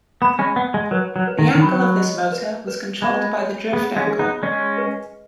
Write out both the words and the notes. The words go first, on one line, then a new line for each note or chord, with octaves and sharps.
The angle of this motor was controlled by the 'drift angle'.
B3 B5
G#3 C#4
B3 F#5
G#3
F#3 B4
F#3
B4
D#3
D#3
F#3 B5
D#5
B4
B4
G#3 B5
C#5
B3 G#4
G#3 C#4
G#4
B3 D#4
G#3 C#4 D#5
B4